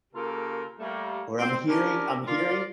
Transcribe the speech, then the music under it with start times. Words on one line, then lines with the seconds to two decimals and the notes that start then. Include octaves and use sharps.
or I'm hearing I'm hearing
0.13 C#3 A#3 F4 G4 A4 A#4
0.79 G3 A3 A#3
1.38 C4 C6
1.68 C#4 D4 G4 A#4
2.27 F4 A#4 D5